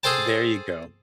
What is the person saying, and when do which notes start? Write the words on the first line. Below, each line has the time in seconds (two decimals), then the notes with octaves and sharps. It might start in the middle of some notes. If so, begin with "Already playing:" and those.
There you go.
0.03 G#4 A4 C5 G5 A5